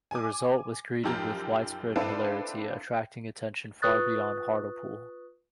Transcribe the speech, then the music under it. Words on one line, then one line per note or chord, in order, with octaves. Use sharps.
The result was greeted with widespread hilarity, attracting attention far beyond Hartlepool.
G#5 D6
B1 F#2 F3 G4 A#5 F6
C4 D4 E4 A4 B4 F5
F4 B4 C#6 D#6 F#6 A6